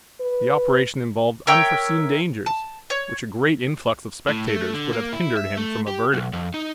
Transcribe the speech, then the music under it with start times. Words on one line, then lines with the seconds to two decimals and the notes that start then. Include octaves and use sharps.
The operation involved unforeseen dangers, which a great influx of spectators would have hindered him from averting.
0.20 B4
1.47 A#4 C#5 E5 G5
2.46 A5
2.90 C#5
4.28 A2
4.48 A3
4.74 D3
4.93 A#3
5.13 E4
5.37 E5
5.57 A3
5.88 G4
6.14 B1
6.33 F2
6.54 D#4